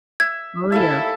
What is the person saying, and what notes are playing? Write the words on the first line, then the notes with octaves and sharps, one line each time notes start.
Oh, yeah.
E5 G#6
D#2 A2 E4 A4 E5 F5 G#5